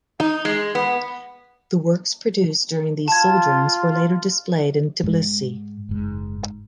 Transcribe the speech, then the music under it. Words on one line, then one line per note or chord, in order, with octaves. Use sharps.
The works produced during these sojourns were later displayed in Tbilisi.
D#4
G#3
B3
F4 A5 G#6
G#2 G#3
F#1 G#2